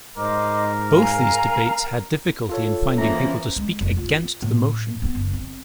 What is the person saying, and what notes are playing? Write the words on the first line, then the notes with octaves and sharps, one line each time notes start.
Both these debates had difficulty in finding people to speak against the motion.
G#2 A#4 C5 D#5 D6
F5 G#5 A#5
F4 A4 C#5
E3 F3 A#3 C#4 A#5
G#3
F1
F4
A2
B3
F#1
C4